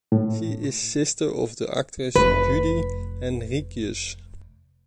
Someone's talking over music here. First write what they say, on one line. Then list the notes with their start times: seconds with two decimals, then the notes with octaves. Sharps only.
She is sister of the actress Judy Henríquez.
0.12 A2
2.16 F1 B4